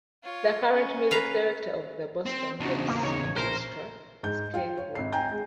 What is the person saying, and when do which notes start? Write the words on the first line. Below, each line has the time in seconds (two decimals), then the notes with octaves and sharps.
The current Music Director of the Boston Pops Orchestra is Keith Lockhart.
0.23 F4 C#5
0.72 C#4
1.11 B4 F5 A#5
2.26 C4
2.60 E2 C#3 D4 D#4 F#4
2.88 A#3
3.04 D#2 D#3 D#4 C#5
3.24 A1
3.36 A#1 E4 A#4 C5 G#5
4.23 G#2 G6
4.54 F4 F5 G5
4.77 C#5
4.95 G#1 C7
5.12 G5 G#5 A#5 G6
5.31 G#3